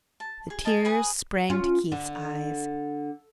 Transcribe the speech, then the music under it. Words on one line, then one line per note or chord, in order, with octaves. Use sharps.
The tears sprang to Keith's eyes.
A5
G#4
G#4 A#4 D#5 A5
G#4 B4 G#5 D#6
C#4 F4
D3